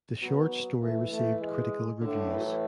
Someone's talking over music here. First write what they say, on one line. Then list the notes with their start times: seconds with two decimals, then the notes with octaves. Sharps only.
The short story received critical reviews.
0.22 F#3 B3
0.81 E3 A3
1.11 A3
1.41 G#3
2.01 A2 D3
2.30 E3
2.37 F#3
2.46 E3